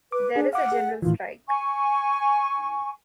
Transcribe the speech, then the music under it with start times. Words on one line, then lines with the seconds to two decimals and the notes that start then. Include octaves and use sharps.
There is a general strike.
0.12 B4 D6
0.36 D4 G#4
0.53 F5 F#5 D6
0.72 G#4
1.02 A2 D#3 E3 F4
1.48 G#5 C#6